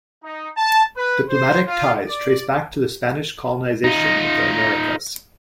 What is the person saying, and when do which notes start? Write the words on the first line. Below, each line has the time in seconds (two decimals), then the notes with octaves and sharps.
Diplomatic ties trace back to the Spanish colonization of the Americas.
0.24 D#4
0.57 A5
0.97 B4
1.29 C5
1.67 F4
2.07 D5
3.84 D#4 F4